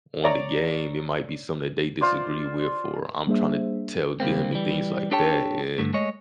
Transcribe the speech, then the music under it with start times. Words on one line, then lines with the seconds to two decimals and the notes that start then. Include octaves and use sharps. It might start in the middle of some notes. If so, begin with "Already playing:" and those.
on the game, it might be something that they disagree with or I'm trying to tell them and things like that, and,
0.24 C#5 D5 A#5
2.01 F4 C5 D5
3.27 G3 A#3 D4 G#4 C5 E5
4.20 C#2 G3 A#3 C4
4.52 E3 G3
5.11 D4 G4 A4 C#5 G5 A5
5.78 G2 D3 A3
5.93 G#3 A3 C#5 D#5